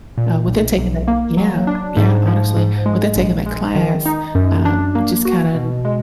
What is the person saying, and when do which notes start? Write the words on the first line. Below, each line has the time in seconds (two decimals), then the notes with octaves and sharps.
uh, within taking that yeah, yeah, honestly. Within taking that class, uh, just kinda
0.18 A#2
0.47 B1
0.78 B1
1.08 A#3
1.37 F#3
1.67 D4
1.97 G#2
2.27 F3
2.57 G#2
2.86 G#3
3.16 A#1
3.46 G#3
3.76 D#3
4.06 D#4
4.35 F#2
4.65 D4
4.95 A#3
5.25 F#4
5.55 B2
5.85 G#3